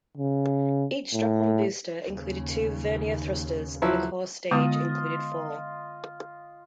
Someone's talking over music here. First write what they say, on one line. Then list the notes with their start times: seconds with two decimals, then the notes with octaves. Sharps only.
Each strap-on booster included two vernier thrusters and the core stage included four.
0.17 C#3
1.13 A2
2.07 D#2 C#3
3.82 F3 F#3 E4
4.51 D3 G#3 B3 F4 D#5 D#6